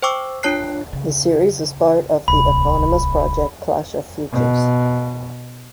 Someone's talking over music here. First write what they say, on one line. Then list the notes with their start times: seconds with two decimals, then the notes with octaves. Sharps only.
The series was part of the eponymous project Clash of Futures.
0.02 C5 G5 C#6 D6 E6
0.43 D4 F4 C#5 A5 F#6 C7
0.93 C#3
2.28 D1 C2 B5
4.32 B2